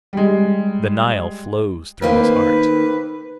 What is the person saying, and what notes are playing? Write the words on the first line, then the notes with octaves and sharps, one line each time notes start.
The Nile flows through his heart.
G3 G#3
D#3 A#3 C4 B4